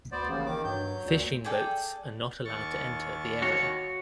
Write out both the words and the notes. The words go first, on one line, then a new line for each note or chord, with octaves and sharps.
Fishing boats are not allowed to enter the area.
D2 B3 C5 D5
A1 D#2 C#3
D#3 D6
G2 F#3 G6
D2 A#2
G#4 A4 D5 G5
D#2 C#6 A6
F#4 C#5